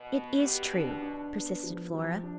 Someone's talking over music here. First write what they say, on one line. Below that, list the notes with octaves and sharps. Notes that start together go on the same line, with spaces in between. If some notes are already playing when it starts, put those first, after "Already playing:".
"It is true," persisted Flora.
Already playing: B2
B3
G4
D4
D4
B3
F3
C3 F3
D4